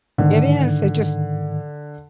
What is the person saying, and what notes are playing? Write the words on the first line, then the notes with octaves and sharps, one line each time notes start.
It is, it just
G#2 D3 D#3